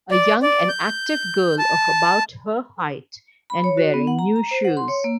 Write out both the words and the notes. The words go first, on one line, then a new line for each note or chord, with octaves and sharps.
A young and active girl of about her height, and wearing new shoes.
D5
D5
G6
A5
B5
C#5
F#4
B3
F#5
A#5
A#5
C5
F#5
C6
C#5
A#3